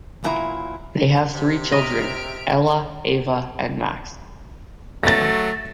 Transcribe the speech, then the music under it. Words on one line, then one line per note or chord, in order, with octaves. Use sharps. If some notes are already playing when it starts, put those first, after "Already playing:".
They have three children-Ella, Ava and Max.
E2 A#2 F#3 E4 A#5
C3
D#5 E5 A#5 F6 D7
F#3 A3 A6 A#6